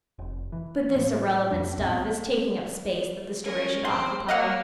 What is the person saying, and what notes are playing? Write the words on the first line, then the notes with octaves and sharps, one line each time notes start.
But this irrelevant stuff is taking up space that the story should occupy.
F1
E3
A2 F3
F2 F#3 D4
B1 A2 B3 C4
C#4 A#4
C4 C5 C6
A#3 D#5 F5 F#5